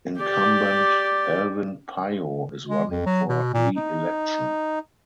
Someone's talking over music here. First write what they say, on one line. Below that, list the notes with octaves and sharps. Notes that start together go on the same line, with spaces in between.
Incumbent Alvin Payo is running for reelection.
G4 D5
G#3
F2
F#3
B2
A#2
D#4